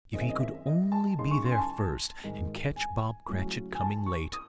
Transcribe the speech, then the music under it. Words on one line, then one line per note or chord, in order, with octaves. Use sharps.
If he could only be there first, and catch Bob Cratchit coming late!
F#2 D#3 G#3 C4 D#5
E5
D#5
E5
D#5
A5
F#2 C#3 G#3 D#4 C6
C#6
C6
G#5
A5
G#2 D#3 G#3
G#5
C#3 F#3 A3 C#4 E4
G#5
A5
C#6
D#6